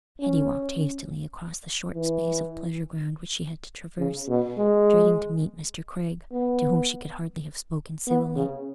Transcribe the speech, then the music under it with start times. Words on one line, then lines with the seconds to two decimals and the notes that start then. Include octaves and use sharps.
Hetty walked hastily across the short space of pleasure-ground which she had to traverse, dreading to meet Mr. Craig, to whom she could hardly have spoken civilly.
0.20 C#4
1.95 E3
3.98 C#3
4.28 B2
4.57 G#3
6.32 B3
8.07 B3
8.35 C#3